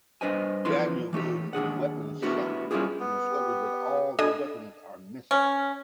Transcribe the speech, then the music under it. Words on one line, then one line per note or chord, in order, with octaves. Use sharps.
Daniel goes to the weapons shack and discovers that all the weapons are missing.
G2 D4 B4 C5 D#5 G#5
E2 F3 E4 B4 C6
E3 A3 D#4 G4
D#2 D4 G#4 F#5
A3 B3 D4 E4 F#4 G4
G3 C#4 E4 F4 G4 G#4
B3
G4
G3 D4 A4 D#5 G#5 D#6
C#4